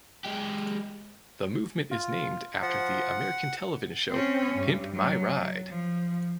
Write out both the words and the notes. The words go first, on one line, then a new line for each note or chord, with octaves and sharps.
The movement is named after the American television show "Pimp My Ride".
G#3 G4
F4
F3 F#5
C4 C#4
G2
F#3
F3